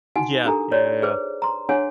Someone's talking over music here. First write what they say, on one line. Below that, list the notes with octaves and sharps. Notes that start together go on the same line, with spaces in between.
Yeah. Yeah, yeah, yeah.
D#4 F#4 F#5 G#5
D4 G4 A4 A#4 A#5
F#4 C#5 D5
G#4 B4 C5
A#5 C6
D4 G#4 C#5 F#5 G#5